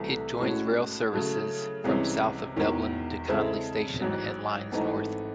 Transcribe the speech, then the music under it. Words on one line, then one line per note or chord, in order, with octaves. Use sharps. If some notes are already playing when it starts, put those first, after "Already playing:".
It joins rail services from south of Dublin to Connolly Station and lines north.
Already playing: C2 C3 E3 A3
A2 G#3 C#4 F#4
C#3 F#3 A3
C2 C3 E3 G#3 C#4
E1 E2 D#3
C#3 G#3 C4 E4 A4
A1 G#2 F#3
G#1 G#2 E3 A3 D#4